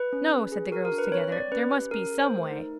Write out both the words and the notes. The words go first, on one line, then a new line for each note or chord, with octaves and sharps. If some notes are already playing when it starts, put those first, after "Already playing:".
'No,' said the girls together, 'there must be SOME way.'
Already playing: B4
C#4
G#4
G#4
F#4 A#4
A#4
D4
B4
C4 C#5
C4 D5
C#4 B4
G4
C#4 A#4
G#4
C5
A3 A#4
D#4